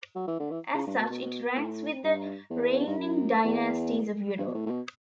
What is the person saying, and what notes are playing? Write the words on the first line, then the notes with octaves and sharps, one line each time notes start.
As such it ranks with the reigning dynasties of Europe.
F#3
E3
D3
E3
C#3
G2
B2
B2
A2
G2
E2
G2
F#2
E2
G2
B2
A2
A2
B2